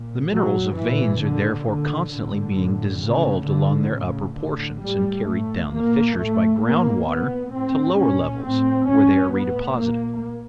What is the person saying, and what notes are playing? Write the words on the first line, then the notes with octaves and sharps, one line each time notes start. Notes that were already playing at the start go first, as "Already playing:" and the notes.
The minerals of veins are therefore constantly being dissolved along their upper portions and carried down the fissures by ground water to lower levels, where they are redeposited.
Already playing: A#2
A#2 F#3
A#2 E3
A#2 D3
A#2 D3
A2 D3
A2
A2 C#3
A2 D3
A2 C#3
A2 D3
A2 G3
A2 A3
A#2 A#3
A2 A3
A2 A#3
A#2 B3
A2 C4
A#2 C#4
A2 C4
A2 C#4
A2 B3
A#2 A#3